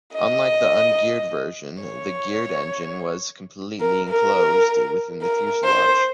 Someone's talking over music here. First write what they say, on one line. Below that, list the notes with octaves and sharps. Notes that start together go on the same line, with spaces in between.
Unlike the ungeared version, the geared engine was completely enclosed within the fuselage.
D#5
C#5
A#4
A#4
A#4
C5